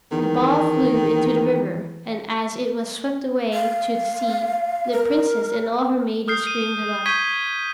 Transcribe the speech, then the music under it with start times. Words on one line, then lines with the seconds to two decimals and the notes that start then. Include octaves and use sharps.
The ball flew into the river, and, as it was swept away to the sea, the Princess and all her maidens screamed aloud.
0.12 E2 D#3
3.54 F5
4.92 A#4
6.28 D#6 F6 G6 C7
6.47 D#7
7.06 C#6 G6 G#6 B6 D#7 G7